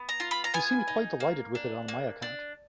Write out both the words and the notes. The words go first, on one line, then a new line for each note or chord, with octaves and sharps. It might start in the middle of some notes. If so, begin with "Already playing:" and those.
He seemed quite delighted with it on my account.
Already playing: B3
A#5
F4
B5
A#5
B3 G#5
D#4
A#3
D4
A#3
D4